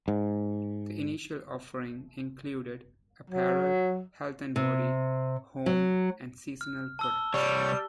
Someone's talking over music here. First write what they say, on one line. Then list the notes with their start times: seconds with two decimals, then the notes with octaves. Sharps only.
The initial offering included apparel, health and body, home, and seasonal products.
0.08 G#2
3.30 F#3
4.56 C3
5.66 F#3
6.61 F6
6.99 A5 E6 G7
7.34 C2 G3 C#5